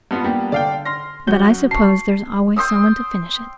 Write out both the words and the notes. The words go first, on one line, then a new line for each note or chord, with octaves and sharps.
"But I suppose there's always some one to finish it."
G2 B3 F4
G3 A#3 B3 D4 G4
D3 A4 D5 F5 G5
C6 F6 A#6
F#2 F#4 G6
A5 C#6 C7
G5 C6 D#6 E6